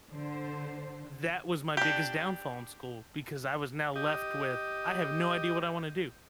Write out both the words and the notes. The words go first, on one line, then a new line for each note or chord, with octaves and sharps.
that was my biggest downfall in school because I was now left with, I have no idea what I wanna do.
D3 C5
D4 G4
G4 D#5